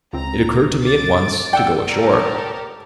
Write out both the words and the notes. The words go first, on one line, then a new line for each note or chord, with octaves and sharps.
It occurred to me at once to go ashore.
C#2 C4 A#5
D6 A6
D5 F#5 G5 E6
G4 A4 A#4